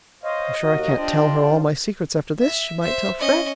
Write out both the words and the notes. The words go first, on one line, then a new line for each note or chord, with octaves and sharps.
I'm sure I can't tell her all my secrets after this . . . she might tell Fred.
C5 C#5 D#5 F5
D#2 F#4 A#4
D4 F4 G4 C5
E5
C5 E5
C#4 D#5